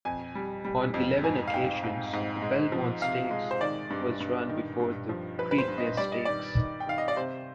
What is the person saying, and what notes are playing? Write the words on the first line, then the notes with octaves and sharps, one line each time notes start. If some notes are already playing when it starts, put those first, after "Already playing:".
On eleven occasions the Belmont Stakes was run before the Preakness Stakes.
F2 G#5
G3
G3
F2
G#2 G#5
F5
G#2 G5
G#2
G#2
G#3
F3
C3 F5
G#3
C5
D#3 D5
G2
G2
D#3
G2
F3
F3 B4
B4
C5
G2
D#5
G3 D5
D#5
D#3 D5
D#3
G5
D#3 F5
D#5
D5
C3 C5